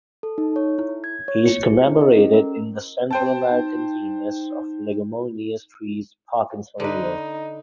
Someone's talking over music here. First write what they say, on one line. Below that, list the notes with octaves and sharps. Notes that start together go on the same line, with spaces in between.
He is commemorated in the Central American genus of leguminous trees "Parkinsonia".
A4
D#4
C#5
E4
G#6
C#5
C#7
G#4
E4
D#5
C#4
A#4
C5 G5 A5
D#4
D3 D#4 B4